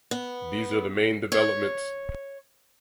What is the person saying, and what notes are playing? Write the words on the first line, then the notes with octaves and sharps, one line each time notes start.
These are the main developments.
B3
C#5